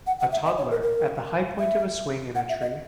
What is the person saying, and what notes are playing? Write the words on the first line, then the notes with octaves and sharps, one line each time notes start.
A toddler at the high point of a swing in a tree.
F#5
F#5
E5
D#5
C#5
A#4
A#4
E5
F#5
E5
D#5